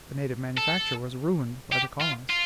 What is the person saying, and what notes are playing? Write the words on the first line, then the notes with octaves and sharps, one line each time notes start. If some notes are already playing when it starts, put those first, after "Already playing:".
The native manufacturer was ruined by the colonist.
A4
G4
F4
F4